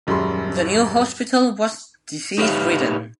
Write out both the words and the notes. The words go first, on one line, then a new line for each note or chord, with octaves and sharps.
The new hospital was disease ridden.
D#1 F#2 G3 G#3 B5 C6
D#4 G4 B4 C#5 E5 F5